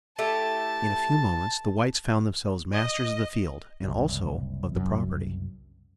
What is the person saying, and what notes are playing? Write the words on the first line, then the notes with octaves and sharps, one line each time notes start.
In a few moments, the whites found themselves masters of the field, and also of the property.
A3 E4 G4 A5
D#5
F#1 C2
F#2